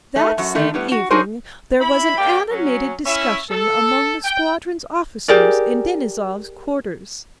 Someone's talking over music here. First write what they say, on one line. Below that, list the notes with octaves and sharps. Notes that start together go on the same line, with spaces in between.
That same evening there was an animated discussion among the squadron's officers in Denisov's quarters.
A3 D#4
F#2 F#4
D3 D#3 A3
A2 G3 B3
F#4
D4 D#4 F#4 G#4 A#4 C5
E4 B5
A#3 G4 D5 G5
F#3 C#4
C#4 E4 E5
A4
G5
G4 G#4 A#4 D5